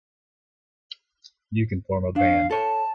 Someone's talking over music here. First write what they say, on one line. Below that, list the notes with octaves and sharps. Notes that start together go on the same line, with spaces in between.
You can form a band.
D4 F5
A4 C#5 A5